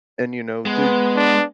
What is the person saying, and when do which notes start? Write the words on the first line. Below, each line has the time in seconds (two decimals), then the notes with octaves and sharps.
and, you know, the eh,
0.66 G#3 B3
1.16 D4